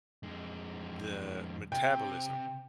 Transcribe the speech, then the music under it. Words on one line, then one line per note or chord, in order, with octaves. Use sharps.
the metabolism.
F2 G#3
C3 G5